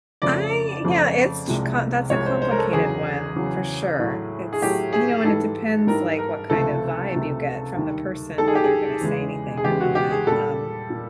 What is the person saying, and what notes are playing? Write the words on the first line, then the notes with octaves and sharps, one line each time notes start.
I yeah, it's ch com that's a complicated one for sure. It's, you know, and it depends, like, what kind of vibe you get from the person, whether you're gonna say anything or not, um
F2 C#3 F3 A3 D5
F2 C#3 F3 A3
C2 C3 F3 G#3
C2 C3 F3 G#3 C#5
C5
C5
A#4
A4
E2 C#3 F#3 G#4
E2 C#3 F#3
A2 F#3 A3
G#4
A2 F#3 A3 G4
G#4
G#2 E3 G3 A4
G#2 E3 G3 A#4
A#4
C#2 C3 F3 A3 A4
C#2 C3 F3 A3
D#2 D#3 G3
D#2 D#3 G3 A4
G#4
G4
G#4
E2 C#3 E3 G#3
G#4
E2 C#3 E3 G#3 G4
F#4
G4
G#4
A#2 A4
G3
A#2